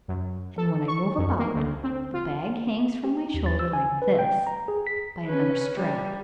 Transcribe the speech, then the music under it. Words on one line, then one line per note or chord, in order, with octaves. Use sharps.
And when I move about, the bag hangs from my shoulder, like this, by another strap.
F#2
A4
C#6
F#2
A#3
D2
C4
F4
G4
D#2
A6
E6
G#5
B4
G5
A#5
G#4
B6
C#4 B4
G3